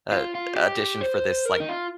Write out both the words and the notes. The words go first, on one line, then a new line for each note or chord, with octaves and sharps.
a addition for this like
F4
F4
G4
C5
A#4
D#4
F4